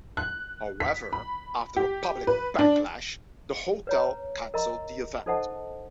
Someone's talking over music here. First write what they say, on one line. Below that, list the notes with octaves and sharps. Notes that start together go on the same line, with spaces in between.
However, after a public backlash, the hotel cancelled the event.
F#6
B6
B5
G4
B4
D4
B4 C#5 A#5
A#4 D#5 A#5 C6
D#4 A4 C5 D#5 F#5 A5